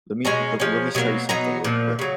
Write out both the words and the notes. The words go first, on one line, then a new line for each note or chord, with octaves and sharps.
Let me le let me s tell you something real quick,
B2 G#3 C#4 A#5
F3 G#3 C#4
B2 F#3 A#3
B2 F#3 B3 D#4 A#5
A#2 F3
C#3 F#3